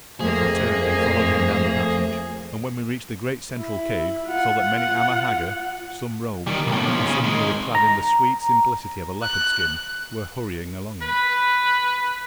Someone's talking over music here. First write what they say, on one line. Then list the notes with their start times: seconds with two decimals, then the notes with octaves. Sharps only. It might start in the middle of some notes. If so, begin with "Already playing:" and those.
I turned, and followed him down the passage, and when we reached the great central cave saw that many Amahagger, some robed, and some merely clad in the sweet simplicity of a leopard skin, were hurrying along it.
0.20 F2 F3 A3 A#3 G#4
3.57 E4
4.26 F4 F#5
6.47 D#3 G3
6.67 B1 A2
6.86 B1 F3
7.06 C#3
7.24 D#3 G#3
7.75 A#5
9.23 F#6
11.01 B4